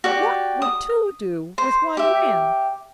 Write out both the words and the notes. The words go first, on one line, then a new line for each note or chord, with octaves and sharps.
What would two do with one ram?
F#4 G4 D5
D#6
C5
G4 E5